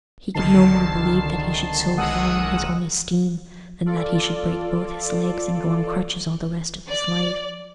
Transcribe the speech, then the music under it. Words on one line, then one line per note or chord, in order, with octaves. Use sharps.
He could no more believe that he should so fall in his own esteem than that he should break both his legs and go on crutches all the rest of his life.
C2 D3 D#3 A5 C7
B1 D#3 G#3 F#5 D#6 E6
F4 A4 D5
D5